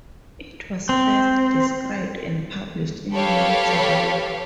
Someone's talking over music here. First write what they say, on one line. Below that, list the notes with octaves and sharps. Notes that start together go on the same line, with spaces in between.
It was first described and published in Notes Roy.
C4
G4 A4 B4 C#5 F5